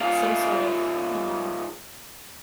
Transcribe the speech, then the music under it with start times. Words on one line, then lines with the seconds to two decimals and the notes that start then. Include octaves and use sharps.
some sort of, you know
0.01 G#2 F4